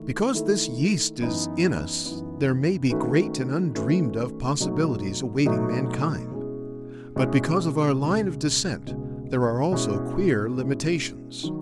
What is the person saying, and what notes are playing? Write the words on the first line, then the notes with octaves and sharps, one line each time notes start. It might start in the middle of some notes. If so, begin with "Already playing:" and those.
Because this yeast is in us there may be great and undreamed of possibilities awaiting mankind; but because of our line of descent there are also queer limitations.
Already playing: D#3 A3 E4 A4
D#3 A3 E4 A4
F#2 E3 B3 D#4
F#2 E3 B3 D#4
D#3 A3 C#4 F#4 B4
D#3 A3 C#4 F#4 B4
B2 F#3 A3 D#4
B2 F#3 A3 D#4
B2 G#3 C#4 E4 G#4
B2 G#3 C#4 E4 G#4
C#2 B2 G#3
C#2 B2 G#3
B2 G#3 C#4 E4
B2 G#3 C#4 E4
D#3 F#3